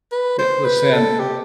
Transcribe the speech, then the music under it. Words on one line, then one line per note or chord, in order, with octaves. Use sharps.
Yeah, the sand
B4
C5
B4
A4
G4